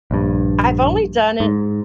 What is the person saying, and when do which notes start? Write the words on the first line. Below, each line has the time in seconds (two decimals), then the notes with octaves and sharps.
I've only done it
0.11 A#1 G2
1.40 G#2